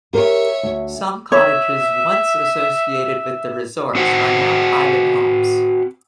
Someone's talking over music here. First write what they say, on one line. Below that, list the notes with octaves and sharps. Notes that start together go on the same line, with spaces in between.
Some cottages once associated with the resorts are now private homes.
G4 A#4 C#5 E5
D2
C#5 E5
C4 F#4 C5 F#5